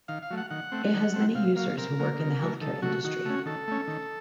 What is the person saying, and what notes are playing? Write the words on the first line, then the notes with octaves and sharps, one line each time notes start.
It has many users who work in the healthcare industry.
D#3 F5
F5
F#3 A3
F#5
D#3 F#5
A3 C4
D#3
A3 C4
C3 F5
F#3 A#3 F5
C3 A#4
F#3 A#3
D#3
F#3 A3
D#3 A4
F#3 A3 F#4
D#3 F#4
A3 C#4
D#3 A4
A3 C#4
D#3